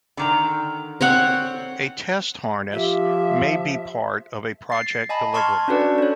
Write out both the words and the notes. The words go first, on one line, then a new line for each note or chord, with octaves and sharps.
A test harness may be part of a project deliverable.
D3 D#3 A#5
C4 C#5 F#5
F3 G4 E5
A6 C7
D#5 G#5 A5 B5
A5 C6 C#6 F6 G#6
C#4 D4 F#4 A4 B4 D5
D4 C#5